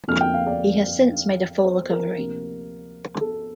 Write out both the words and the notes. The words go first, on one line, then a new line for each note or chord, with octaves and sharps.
He has since made a full recovery.
F2 D3 F3 A#3 F6
G5
F5
D5
C5
A#4
D2 C3 F3 A#3
A4